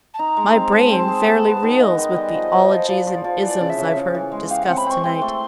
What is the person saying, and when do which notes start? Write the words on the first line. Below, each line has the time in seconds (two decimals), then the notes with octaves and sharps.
My brain fairly reels with the 'ologies and 'isms I've heard discussed tonight.
0.14 A5
0.19 D#4 A#5
0.37 G#3
0.55 C4
0.72 G#3 A5
0.90 C4
1.08 G#4
1.26 B3
1.44 B3
1.63 D#3
1.80 B3 D#5
1.98 D#3
2.16 G3
2.35 F3
2.52 F3
2.70 F3
2.89 F3 D5
3.07 F3
3.24 F3
3.42 E3 D5
3.60 C#3
3.69 E5
3.78 C#3
3.96 C#3
4.14 E3
4.32 G#3
4.50 G4 F5
4.63 F#5
4.69 C4
4.77 B5
4.86 C4 C#6
5.04 C4 C6
5.22 A3